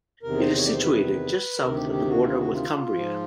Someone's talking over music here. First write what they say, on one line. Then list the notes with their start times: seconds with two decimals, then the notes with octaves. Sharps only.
It is situated just south of the border with Cumbria.
0.23 E2 C3 D#3 A#4
0.40 C5
0.57 C#5
0.65 D5
0.73 C5
0.82 B4
1.57 D2 C3 D#3 A#4
1.74 G4
1.91 G4
2.08 F#4
2.24 F4
2.38 F#4
2.53 F4
2.92 G#2 F3